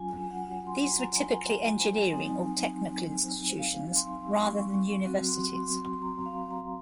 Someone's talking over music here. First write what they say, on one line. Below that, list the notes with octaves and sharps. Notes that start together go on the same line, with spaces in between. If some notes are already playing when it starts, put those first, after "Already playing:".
These were typically engineering or technical institutions rather than universities.
Already playing: F#3 C#4 F4 G#5
F#5
C6
A#5
G#5
A#5
G#5
G#5
F#3 C4 D#4
F5
C6
C#6
F#3 C4 F#4
C6
C6
C6
C6
A#5
F5
A#5